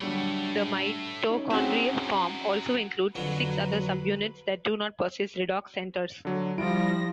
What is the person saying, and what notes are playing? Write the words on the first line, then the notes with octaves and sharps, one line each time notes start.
The mitochondrial form also includes six other subunits that do not possess redox centres.
D3 F#3 G3 A3 C#5
C#4 D#4 E4
F#3 C4 F#4 G#4 E5
F2 D3 F#3 B4
D3 F#3
F3 G3 E4 F4 A#6 D7